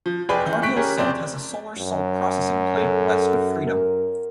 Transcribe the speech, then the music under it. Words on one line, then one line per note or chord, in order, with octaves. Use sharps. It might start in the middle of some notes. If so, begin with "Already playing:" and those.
Cargill Salt has a solar salt processing plant west of Freedom.
F3
F1 G#4 B4 D5 G5 B5
E3 G6
A3 C#6 F#6 B6 D7
C#4 G4 G#4 A#4 C#5
F2 C4 D5 G6
F#2
A4
A#4